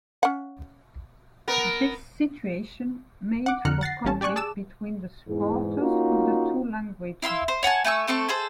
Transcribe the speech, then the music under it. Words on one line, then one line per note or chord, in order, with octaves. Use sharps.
This situation made for conflict between the supporters of the two languages.
C#4 F#5
B3 A#4
F#5 D6
F2 D3 A#5 F6 F#6 C#7
F#5 A6 A#6 C7
A1 G3 C#4 A5
G4 D5 G#5 C#6 F#6
G#4 A5 D6 E6 E7
E2 G#2
A#3 C#4 D#4 F4 F#4
E4 F5 C6 E6
C5
C#5 F#5 G#5 A5
A3 G#5 C#6 E6
A3 C4 A4 C#6
G#4 A4 C5